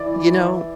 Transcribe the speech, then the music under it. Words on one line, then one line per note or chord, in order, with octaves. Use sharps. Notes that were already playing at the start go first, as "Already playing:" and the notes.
You know
Already playing: E3 D5